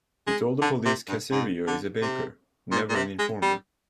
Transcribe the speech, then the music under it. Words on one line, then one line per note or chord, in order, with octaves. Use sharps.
He told the police Caserio is a baker, never an informer.
G#3
D3
C3
G2
G#2
D3
C3
A#2
A#2
C3
G#3
G3